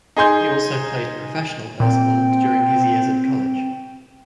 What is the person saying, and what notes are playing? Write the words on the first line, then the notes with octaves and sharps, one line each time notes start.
He also played professional baseball during his years at college.
D#4 G#4 C6 G6
A#2 C4 G5